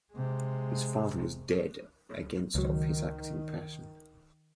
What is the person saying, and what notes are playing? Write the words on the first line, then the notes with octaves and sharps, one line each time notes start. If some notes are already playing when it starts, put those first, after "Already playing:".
His father was dead against of his acting passion.
C3 G#3
C#2 D#3 F#3